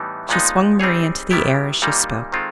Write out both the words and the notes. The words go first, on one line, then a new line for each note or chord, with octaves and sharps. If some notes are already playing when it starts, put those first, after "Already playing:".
She swung Marie into the air as she spoke.
Already playing: A2 E3 G3 B3 D#4
A#2 F3 G#3 B3 D#4
G3 C4 D#4 G#4 C#5
D#3 G3 B3 E4 G4
A#2 G3 A#3 D#4
D#3 G#3 C4 F4 A4